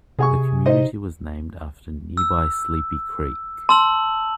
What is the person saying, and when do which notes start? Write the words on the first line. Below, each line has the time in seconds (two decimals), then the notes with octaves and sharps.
The community was named after nearby Sleepy Creek.
0.19 C3 G#4 G#5 C#6
0.66 D#4 C5 D#5
2.17 E6
3.69 A5 C6 E6 F#7